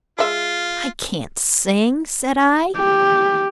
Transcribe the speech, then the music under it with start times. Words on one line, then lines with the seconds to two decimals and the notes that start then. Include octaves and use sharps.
"I can't sing," said I.
0.19 G#3 F4 E5
2.77 G4